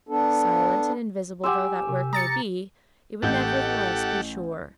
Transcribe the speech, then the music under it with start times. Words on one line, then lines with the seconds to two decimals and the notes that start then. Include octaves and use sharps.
Silent and invisible though that work may be, it would nevertheless be sure.
0.09 B3 D4 A4
1.44 G4 F#5 G#5 C6 E6
1.89 C3
2.13 A#5 D#6 A6 C#7
3.22 A1 G4 A4 F#5 G6